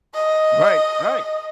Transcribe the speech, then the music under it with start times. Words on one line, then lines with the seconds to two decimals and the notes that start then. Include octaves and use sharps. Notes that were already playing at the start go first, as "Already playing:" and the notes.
Right. Right.
0.14 D#5